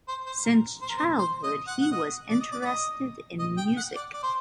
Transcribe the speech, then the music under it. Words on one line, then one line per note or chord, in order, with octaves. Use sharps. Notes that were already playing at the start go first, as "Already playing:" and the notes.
Since childhood he was interested in music.
C5
C5
A#4
C5
A#4
C5
C5
D#5
F#5
F#5
D#5
D5
D#5
D5
D5
D#5
D#5
G5
F#5
D5
D5
C5